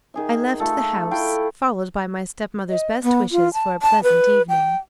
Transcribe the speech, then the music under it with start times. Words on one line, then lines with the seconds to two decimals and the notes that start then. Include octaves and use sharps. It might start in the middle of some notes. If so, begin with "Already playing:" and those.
I left the house, followed by my stepmother's best wishes for a pleasant evening.
0.14 D#3 G#4 E5
0.60 A3 D#4 F4 A4
1.11 A3 E4 F5 G5
2.69 D#5
3.03 B3
3.32 F4
3.53 A5
3.82 A5
4.03 B4
4.49 G5